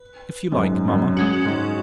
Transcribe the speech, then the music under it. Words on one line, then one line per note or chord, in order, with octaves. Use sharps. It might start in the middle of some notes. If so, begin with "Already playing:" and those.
"If you like, mama."
Already playing: B4
F#2
G#2
F#2
G#3 C#4 F#4
G#2